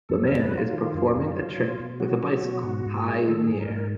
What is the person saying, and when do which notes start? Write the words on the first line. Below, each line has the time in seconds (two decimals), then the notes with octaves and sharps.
The man is performing a trick with a bicycle high in the air.
0.09 F#2 A4
0.26 A#4
0.31 F#2
0.41 B4
0.51 F#3
0.58 F4
0.73 D#3
0.94 F#2
1.16 F#2
1.36 F#3
1.58 B2
1.80 B2
2.00 F#3 F#4
2.22 F#3
2.43 B2
2.63 G#2
2.86 G#2
3.07 G#3
3.28 D#3 A4
3.44 G#4
3.49 G#2
3.59 A#4
3.71 G#2
3.76 A#4